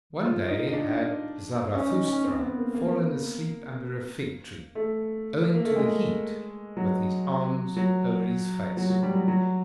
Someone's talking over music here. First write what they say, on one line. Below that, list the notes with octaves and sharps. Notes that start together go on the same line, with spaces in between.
One day had Zarathustra fallen asleep under a fig-tree, owing to the heat, with his arms over his face.
F4
D#4
D#4
D4
C#4
D#4
C#4
C4
B3
A#3
A#3
A3
A#3
A3
G#3
F#3
F#3
F#3
F#3
G3
F#3
F#3